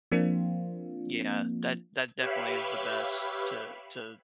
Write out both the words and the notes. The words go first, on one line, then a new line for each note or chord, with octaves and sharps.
Yeah, that that definitely is the best to to
F3 A#3 C4 D4 F4
G4 B4 C#5 E5 F5 B5